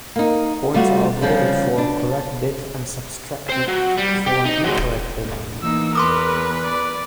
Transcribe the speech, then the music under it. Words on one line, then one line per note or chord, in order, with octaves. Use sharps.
Points are awarded for a correct bid and subtracted for an incorrect bid.
A#3 D#4
G3 A3 F4 F#4
C#3 F3 G3
D4
C5 G5
F#3
G3
G4
D#4
F#3 G#3
E1 A2
E3 A#3 D#4 E6
E2 A#4 B4 C6 D6 D#6
D5